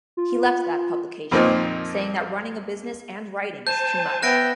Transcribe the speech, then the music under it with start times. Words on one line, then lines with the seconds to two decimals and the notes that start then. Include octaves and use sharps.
He left that publication, saying that Running a business and writing is too much.
0.17 F4
1.31 F2 A#2 F3 A#3 C4 D#4
3.67 C5 G#5 A5 G6
4.23 B3 E5 G5 F#6 A#6 D7